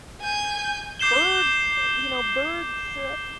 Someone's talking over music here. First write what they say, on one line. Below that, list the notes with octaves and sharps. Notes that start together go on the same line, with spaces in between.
Birds, eh, you know, birds, uh,
G#5 G6
D6 G6 C7 E7 G7